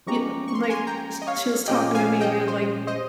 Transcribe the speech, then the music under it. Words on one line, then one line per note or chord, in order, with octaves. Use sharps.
y uh, like, sh she was talking to me and, like,
F3 G#3 C#4 G4 A#5 C#6
C#6
C6
A#5
G#5 C6
G5 A#5
D#5
C#5 F5
A#2 F3 G#3 C#4 G4 D#5 G5
F5 G#5
D#5 G5
C5
C5 D#5